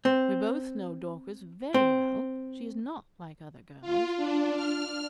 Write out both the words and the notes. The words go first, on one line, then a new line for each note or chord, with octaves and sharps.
We both know Dorcas very well; she is not like other girls.
C4
C4
F4
D4
F6